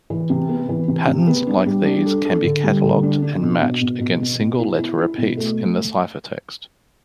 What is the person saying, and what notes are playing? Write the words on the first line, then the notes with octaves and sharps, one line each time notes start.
Patterns like these can be cataloged and matched against single-letter repeats in the ciphertext.
E3
C3
B3
E3
C3
C3
B3
D4
G3
D4
A4
A4
D3
G3
D3
D4
D4
B2
B2
B2
B2
B2
B2
E4
E4
E4
B2
A3